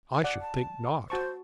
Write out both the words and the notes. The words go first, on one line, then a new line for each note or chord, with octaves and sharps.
"I should think not."
D5 F#5
A5
F#4 C5 A5 C#6